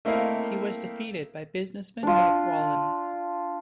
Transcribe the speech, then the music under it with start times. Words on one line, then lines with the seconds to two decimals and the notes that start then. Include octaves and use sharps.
He was defeated by businessman Mike Whalen.
0.05 A3 A#3 C4 E4 D#5 F5
2.03 D4 F4